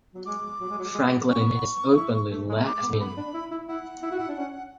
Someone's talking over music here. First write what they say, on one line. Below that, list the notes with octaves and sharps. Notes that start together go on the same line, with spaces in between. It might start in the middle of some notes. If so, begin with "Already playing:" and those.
Franklin is openly lesbian.
F#3
G#3 D6
F#3
G#3
F#3
G#3
B3
C#4 C#6
B3
E4
A3
G#3
G#3 D6
B3
A3
B3 B5
D4
E4
E4
E4 F#5
E4
F#4
E4
D4
C#4